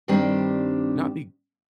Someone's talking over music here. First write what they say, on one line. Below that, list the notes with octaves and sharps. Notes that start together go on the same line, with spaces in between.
not be
G2 D#3 G3 C4 D4 G4